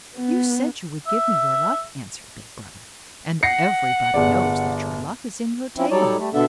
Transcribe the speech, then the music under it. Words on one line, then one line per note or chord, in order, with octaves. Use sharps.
"You said you would give me your luck," answered Big Brother, "and everybody knows that your luck is in your tail."
B3
E5
F#5 A#6 C7 C#7
G1 G#4 D5
F3 C4 C#4 E4
F#3 G3 D#4 A4 C#5 D5
G3 A3
B2 D3 B3 D4 A4 E5